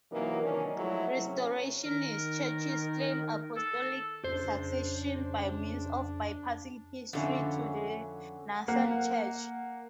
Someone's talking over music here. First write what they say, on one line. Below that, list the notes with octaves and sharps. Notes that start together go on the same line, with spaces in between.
Restorationist Churches claim apostolic succession by means of bypassing history to the nascent Church.
C3 E3 F#3 A#3 D#4 A#4
D#3 C#4 D4
F3 F#3 G#3 A3 E4
C3 C#4
D#3 A#4
A4
F2 C#3 D4 C5
F2 D3 C#4 E5 F#5
A#3 F#5